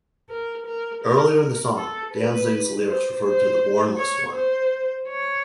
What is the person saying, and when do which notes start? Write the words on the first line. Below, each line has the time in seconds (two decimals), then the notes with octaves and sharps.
Earlier in the song, Danzig's lyrics refer to "the Bornless One".
0.29 A#4
0.66 A#4
1.04 A#4
1.77 A4
2.14 B4
2.87 C5
3.25 C5
3.97 C#5
4.35 C5
5.07 C#5